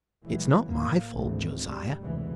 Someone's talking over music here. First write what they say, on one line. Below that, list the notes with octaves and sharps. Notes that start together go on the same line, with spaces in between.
It’s not my fault, Josiah.
A#2 E3 F#3 G#3
A2 A#3
G#1 D2 E3
G3
F1 D2 B2 E3 G#3